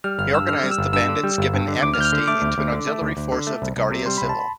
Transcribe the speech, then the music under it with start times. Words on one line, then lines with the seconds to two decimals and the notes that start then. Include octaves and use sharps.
He organized the bandits given amnesty into an auxiliary force of the Guardia Civil.
0.04 G3 F6
0.19 G1 F6
0.33 G2 E6
0.48 D3 F6
0.63 G3
0.71 E6
0.78 G1
0.93 G2 E6
1.08 D3
1.24 G3
1.38 G1
1.54 G2
1.68 D3
1.83 D2 D6
1.94 F6
1.98 D2 G6
2.05 F6
2.13 D3
2.28 A3 D6
2.42 D2
2.58 D2
2.72 D3
2.87 A3
3.02 D2
3.17 D2
3.32 D3
3.47 A3
3.62 C2
3.77 C2
3.91 C3
4.06 G3 C6
4.18 B5
4.22 C2
4.29 A5
4.40 B5